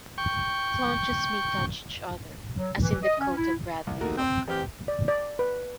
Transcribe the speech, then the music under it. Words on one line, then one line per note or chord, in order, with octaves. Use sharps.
Flaunches may touch each other, as in the coat of Bradley Hook.
G5 C#6
F#3
E3
D#5
C#4
E4
C2
D#2 A3 F#4 A#4
C4 G6
A1 C4 G4 F6
D5
D5
B4